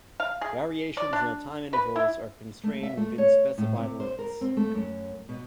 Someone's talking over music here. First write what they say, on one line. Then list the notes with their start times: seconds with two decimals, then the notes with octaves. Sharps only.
Variations in the time intervals are constrained within specified limits.
0.20 F5
0.41 G#4
0.97 D5
1.13 D4
1.73 B4
1.96 E4
2.63 A3
2.83 E5
2.97 A3
3.18 C#5
3.58 A2
3.76 C3
4.00 C5
4.19 A#4
4.41 C4
4.57 A3
4.74 F#2
5.29 B2